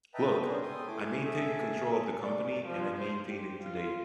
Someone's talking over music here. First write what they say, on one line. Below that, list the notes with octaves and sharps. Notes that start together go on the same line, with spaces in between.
Look, I maintained control of the company and I maintain it today.
B4 D#5 E5 G5 A5 A#5
B3 C#4 D4 G#4 C5
A4 G5 C6 D#6
A3 E4 G#5 D6
G#4 A4 E5
D5
F3
C5
G4
F4